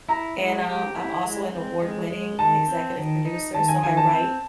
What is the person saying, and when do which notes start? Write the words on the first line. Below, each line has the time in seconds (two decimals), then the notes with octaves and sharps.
And, um, I'm also an award-winning executive producer, so I write
0.09 E4 A#5
0.37 G#3
0.66 G4
0.95 E4
1.24 G#3
1.53 C4
1.82 G#3
2.10 G#3
2.39 D#3 A5
2.68 C4
2.97 D#3
3.25 D#4
3.54 D#3 A5
3.68 G#5
3.83 D#3 G#5
3.97 A5
4.12 C4